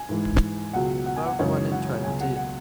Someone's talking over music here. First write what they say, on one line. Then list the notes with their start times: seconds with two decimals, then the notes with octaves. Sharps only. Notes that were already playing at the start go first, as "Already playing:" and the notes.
About one in twenty.
Already playing: G#5
0.09 G#2 E3 G#3
0.73 C#2 B2 F#3 F#5
1.06 F#5
1.16 G#5
1.26 F#5
1.39 F#2 C#3 E3 G#3 C#5
1.72 F#5
2.04 C#2 B2 F#3 G#5
2.21 F#5
2.37 F#5